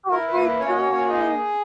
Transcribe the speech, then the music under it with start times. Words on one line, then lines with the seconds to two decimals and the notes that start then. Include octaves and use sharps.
Oh my gosh.
0.11 E4 A#4
0.27 B4
0.36 A#3
0.44 B4
0.60 A#3 C#4 C#5
0.70 D#5
0.76 C#4 C#5
0.84 A#3
0.92 C#4 C#5
1.08 D#4 G#4 D#5